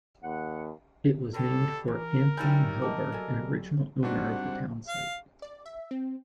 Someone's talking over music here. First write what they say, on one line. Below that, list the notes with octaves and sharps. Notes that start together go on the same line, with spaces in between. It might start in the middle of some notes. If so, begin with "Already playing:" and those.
It was named for Anton Halbur, an original owner of the town site.
D#2 F#5
B2 D4 G4 A4
E3 A#4
F#3 G3 C#4 D#4 E4 G#5 G6
D#5 A5 D6
F#3 A4 G#5
G#2 G3 C4 D4 F#4 F#5
F5
D5
E5
C4